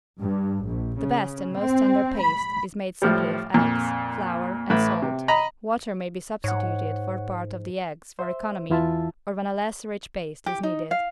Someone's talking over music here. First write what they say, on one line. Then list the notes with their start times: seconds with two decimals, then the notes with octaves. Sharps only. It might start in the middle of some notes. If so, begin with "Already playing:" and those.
The best and most tender paste is made simply of eggs, flour and salt, water may be substituted for part of the eggs, for economy, or when a less rich paste is needed.
0.19 G2
0.65 A#1
1.00 C#3
1.57 C4
2.20 B5
3.02 A2 F3 G3
3.54 F2 A#2
4.70 A1 A2 B4 B5
5.02 C3
5.28 D#5 A#5 B5
6.44 G#2 C#5 F#5
8.19 C5 E5
8.70 E2 E3 E4 F4 E5 A5
10.46 G4
10.63 D#4
10.91 F5